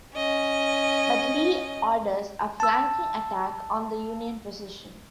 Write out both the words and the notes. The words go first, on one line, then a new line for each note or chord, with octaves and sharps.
But Lee orders a flanking attack on the Union position.
C#4 D#5
A5 E6